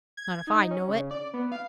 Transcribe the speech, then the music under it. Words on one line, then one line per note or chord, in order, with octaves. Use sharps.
Not if I know it.'
G#6
D#4
C#4
C#3
D5
B3
F5